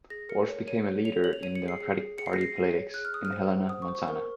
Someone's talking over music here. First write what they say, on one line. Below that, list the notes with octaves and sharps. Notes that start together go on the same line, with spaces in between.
Walsh became a leader in Democratic Party politics in Helena, Montana.
G#4 A#6
A#4 C#7
C#5
C#5 D#7
C#5
C#5 F7
C#5 F#7
F7
C#5 D#7
C#7
G#4
C7
G#4
G#4
G#4 C#7
C7
A#6
G#4 C7
G#4
C#5
G#4 F#6
F6
G#4 D#6
F6
C5
F#5
C5 D#6
C#6
C5
C#6
A#4